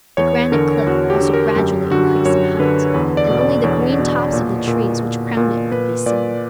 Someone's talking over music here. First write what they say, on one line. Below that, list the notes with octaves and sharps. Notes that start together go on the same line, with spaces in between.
The granite cliff also gradually increased in height, and only the green tops of the trees which crowned it could be seen.
E2 C#5
D3 A#4
E2 F#4
G4
D3
A#4
F#2 G4
D3 F#4
F#2 C#5
D3 B4
E2 B4
D5
B2
D5
E2 C#5
B2
A#2
A#2
A#2
A#2
A#2 B4
A#2 D5